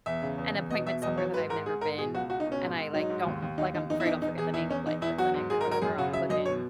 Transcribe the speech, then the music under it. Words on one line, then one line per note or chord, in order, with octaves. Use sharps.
an appointment somewhere that I've never been, and I like don't like, I'm afraid I'll forget the name of like the clinic or whatever, I'll put in
E2 E5
C#3
E2
E2
B2 D#5
B2 E5
E2 D#5
F#3 C#5
G#2 B4
G#2 A#4
G#2 G#4
G#2 A#4
B2 G#4
C#2 F#4
C#2 F#4
D#4
B2
C#4
G#2
G#2
F#3 D#4
G#2
D#2
D#2
D#2 D#4
D#2 D#4
E2 D#4
E4
E2 D#4
E2 D#4
E2 G#4
E2 E4
E2 C#4
E2 D#4
E2 E4
F#3 F#4
G#2
G#2 G#4
A#4
F#3
A#4
F#2 G#4
C#3 F#4
F#3 E5
F#2 D#5
B2 C#5